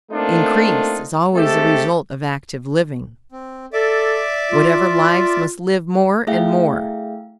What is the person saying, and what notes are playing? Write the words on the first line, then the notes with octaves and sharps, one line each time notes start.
Increase is always the result of active living; whatever lives must live more and more.
A3 A#3 C4 D4 D#4 F4
G#3 A3 C4 G4 A4
C4
A4 D5 E5 D6
F4
A3 E4 G#4 E5 F5 G5